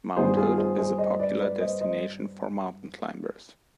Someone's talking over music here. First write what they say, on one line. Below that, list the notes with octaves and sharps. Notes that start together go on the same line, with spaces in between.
Mount Hood is a popular destination for mountain climbers.
G2 D#3 G3 B3 G#4 C5
F4 G#4
G#4 C5
G#4 C5
C5 D#5
B4 D5
B4 D5
C5 D#5
C5 D#5